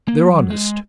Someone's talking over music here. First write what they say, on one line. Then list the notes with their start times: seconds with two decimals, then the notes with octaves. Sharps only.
They're honest.
0.08 A#3
0.29 F#3
0.50 G#3